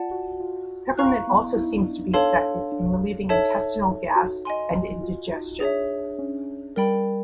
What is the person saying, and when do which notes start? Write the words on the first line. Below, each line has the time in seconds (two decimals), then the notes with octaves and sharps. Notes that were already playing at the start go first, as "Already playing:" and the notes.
Peppermint also seems to be effective in relieving intestinal gas and indigestion.
Already playing: F4 D5 F#5 A5
0.11 F#4
0.40 F4
0.97 E4 F5 A#5 C#6 F#6
1.27 B3
1.56 E4
1.63 D#4
1.72 D4
1.81 D#4
2.13 D4 A4 C#5 F5 A5 C6
2.72 D4
3.29 D#4 A4 C#5 E5 A5
4.16 F#4
4.45 D#5 G#5 C6
5.03 F4
5.32 D#4
5.60 D4 G#4 C#5 E5
6.18 C#4
6.76 G3 A#4 D5 G5 B5